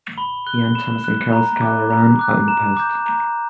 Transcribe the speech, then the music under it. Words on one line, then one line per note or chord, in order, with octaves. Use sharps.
Ian Thomas and Karl Skala ran unopposed.
B5 G7
F#6 G7
B5 E7
F#6
A#5
D6 F#6
A#5
D6 F#6
A#5 E7
D6 G6
A#5